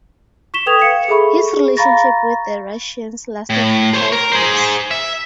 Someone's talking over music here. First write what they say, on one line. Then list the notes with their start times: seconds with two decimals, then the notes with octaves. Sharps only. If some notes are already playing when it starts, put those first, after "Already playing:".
His relationship with the Russians lasted for five years.
0.54 C#6 B6 E7 G7
0.66 A4 B4 G5 D#6 G#6 F7
0.82 F5 C#7
1.08 G#4 A4 E5 B5 C#6
1.53 G#4
1.77 F5 A#5 B5 C#6 A6 A#6
3.50 A2
3.94 C5 C#5
4.12 A#4
4.33 G#4 C5
4.91 E5